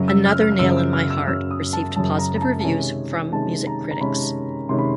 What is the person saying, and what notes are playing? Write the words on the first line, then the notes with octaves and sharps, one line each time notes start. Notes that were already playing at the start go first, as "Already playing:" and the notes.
"Another Nail in My Heart" received positive reviews from music critics.
Already playing: F#2 C#3 F#3
E6
F6
F6
F6
F#2 C#3 F#3 E6
E6
F6
E6
F#2 C#3 F#3 E6
D#6
A5
F#2 C#3 F#3 A5
A#5
A#5
A5
A5
C3 D#3 G#3 C#4 G#5
C3 D#3 G#3 C#4 A5
A#5
A#5
C3 D#3 G#3 C#4 B5
C3 D#3 G#3 C#4 C6
B5